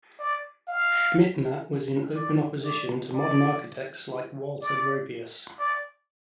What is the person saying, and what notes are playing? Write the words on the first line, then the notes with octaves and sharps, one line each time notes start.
Schmitthenner was in open opposition to modern architects like Walter Gropius.
D5
F5
D5
D5
D5
D5
D5